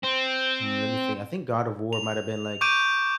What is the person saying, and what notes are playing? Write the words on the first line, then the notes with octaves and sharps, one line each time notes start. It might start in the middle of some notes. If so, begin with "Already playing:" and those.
mm, lemme think I think God of War might have been, like
C4
F7
C#6 D6 G6 D7 D#7